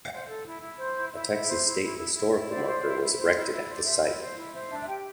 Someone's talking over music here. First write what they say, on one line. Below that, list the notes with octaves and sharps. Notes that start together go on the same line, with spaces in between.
A Texas state historical marker was erected at the site.
C5
A4
E4
E4
C5
E4
E4 E5
E4
C5
E4
E4
E4
E4
E4
C5 D5
C5
E4
E4
C5
E4
E4
C5 D5
C5 E5
E4
C5
E4
C5 E5
D4 E5
E5
G4 G5